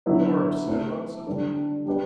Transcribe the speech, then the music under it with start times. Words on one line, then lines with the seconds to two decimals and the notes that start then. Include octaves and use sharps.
"You are upset about something?"
0.06 D3 F#3 B3 E4 B4
0.66 A3 C4 E4
1.27 D3 G3 D4 A4
1.86 G3 D4 G4 B4